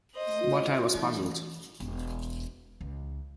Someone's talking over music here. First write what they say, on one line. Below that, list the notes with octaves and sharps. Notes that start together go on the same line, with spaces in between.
But I was puzzled.
C5 D#5
E3
E1
C#2